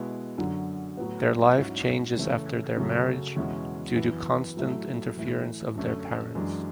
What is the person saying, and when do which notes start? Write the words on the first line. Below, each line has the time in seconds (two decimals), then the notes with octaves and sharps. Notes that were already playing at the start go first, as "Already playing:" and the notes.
Their life changes after their marriage due to constant interference of their parents.
Already playing: B2 G#3 B3 E4
0.38 F#2 D3 F#3
0.97 A2 F#3 B3
1.58 G#2 F#3 C#4 E4
2.17 C#3 E3 A3 C#4
2.77 F#2 C#3 F#3 A3 C#4
3.36 E2 B2 G#3 C#4 E4
3.96 F#2 E3 B3 E4
4.56 A2 F#3 A3 E4
5.16 A2 E3 A3 E4
5.75 F#2 D3 A3 C#4
6.35 F#2 E3 G#3 D4